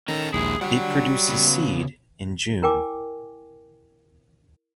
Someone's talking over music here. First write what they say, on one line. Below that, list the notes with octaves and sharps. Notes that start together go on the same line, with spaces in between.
It produces seed in June.
D#3 C#4 A4 A#5
A#1 D#2 G#3 E4 G#4
F#3 G3 D4 F#5
C#3 B3
E4 A#4 G5 G#5 D6